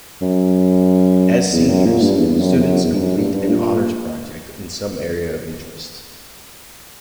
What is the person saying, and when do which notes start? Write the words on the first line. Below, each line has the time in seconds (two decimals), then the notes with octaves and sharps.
As seniors, students complete an Honors Project in some area of interest.
0.21 F#2
1.52 E2
1.69 F#2
1.85 A#2
2.02 G2
2.18 E2
2.40 F#2
2.56 E2
2.62 F#2
2.84 E2
2.95 G2
3.00 F#2
3.17 G2
3.33 G2
3.49 A#2